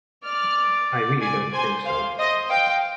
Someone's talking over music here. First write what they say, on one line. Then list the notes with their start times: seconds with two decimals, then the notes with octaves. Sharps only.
I really don't think so.
0.25 D5 F6
1.21 D5 G#5
1.53 C5 G#5
1.85 C5 F5
2.18 C5 D#5
2.50 F5 G5